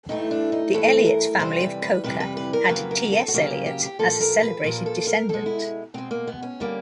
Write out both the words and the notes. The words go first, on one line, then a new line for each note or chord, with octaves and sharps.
The Elyot family of Coker had T. S. Eliot as a celebrated descendant.
G2 E3 A3 D#4
D4
D#4
G2 E3 A3 A4
A#4
F2 C3 E3 G3 C5
B4
B4
F2 C3 E3 G3 B4
B4
B4
A#4
F2 C#3 F#3 A#3 B4
A#4
A4
F#4
F2 C#3 F#3 A#3 G4
G4
G4
G4
A#2 F3 A#3 A4
A#4
B4
A#2 F3 A#3 A#4
A4
A#4
B2 G#3 A4
E4
B2 G#3 C4
A#3
B3
C#4
D3 G3 A#3